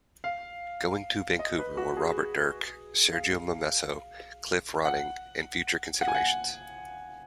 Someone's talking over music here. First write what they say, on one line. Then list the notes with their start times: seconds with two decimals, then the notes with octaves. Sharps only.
Going to Vancouver were Robert Dirk, Sergio Momesso, Cliff Ronning, and future considerations.
0.24 F5
1.39 D#5
1.59 B4
1.77 F#4
1.97 G#4
3.12 F5
4.85 F#5
6.01 F#5
6.08 G#5
6.15 F#5